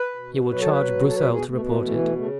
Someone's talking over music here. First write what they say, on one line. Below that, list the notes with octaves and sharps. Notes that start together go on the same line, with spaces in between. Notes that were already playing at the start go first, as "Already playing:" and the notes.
You will charge Broussel to report it.
Already playing: B4
B2
F#3 B4
A4
B4
B2
A4
B2 B4
G#4
B2 A3
A3
E3 A3
A3
C#3 A3